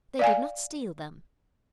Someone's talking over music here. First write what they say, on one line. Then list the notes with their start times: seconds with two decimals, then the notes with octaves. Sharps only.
They did not steal them.
0.19 D5 F5 G#5